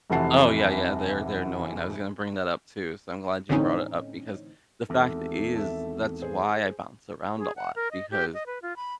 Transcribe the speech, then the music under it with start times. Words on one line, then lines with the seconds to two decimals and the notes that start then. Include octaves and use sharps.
Oh, yeah, yeah, they're they're annoying. I was gonna bring that up too, so I'm glad you brought it up because the fact i is that's why I bounce around a lot, because
0.10 F1 C3 E3 F#4 A5 C7
3.49 A2 D3 E3 C4 C#4 D#4
4.90 G#1 E2 A3
5.55 E5 A5
6.22 G#4 C5
7.38 G#4
7.56 F#5
7.76 A#4
7.91 D#5
8.11 G4
8.34 D#5
8.47 B4
8.62 F4
8.76 B5